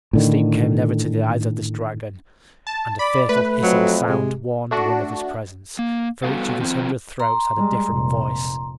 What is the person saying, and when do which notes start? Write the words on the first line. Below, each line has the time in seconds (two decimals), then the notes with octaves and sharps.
Sleep came never to the eyes of this dragon and a fearful hissing sound warned one of his presence, for each of his hundred throats had a different voice.
0.13 A2 D3 D#3
2.67 A5
2.99 D5 B5 D6
3.29 A3 B4
3.63 F2 F#3
4.08 C3 G#3
4.71 A3 D4 F#4
5.79 A#3
6.24 G3 B3 F#4 A4 F5
6.59 D#3 F3 C4
7.20 A#5 C6
7.56 G3 G#3
7.91 F1 A#2